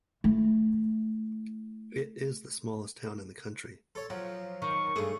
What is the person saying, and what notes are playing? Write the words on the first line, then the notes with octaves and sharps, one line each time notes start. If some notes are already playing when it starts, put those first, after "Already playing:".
It is the smallest town in the country.
A3 E4
A4 C#5
F3 F#3
D#3 C#6
G2 A3 G#4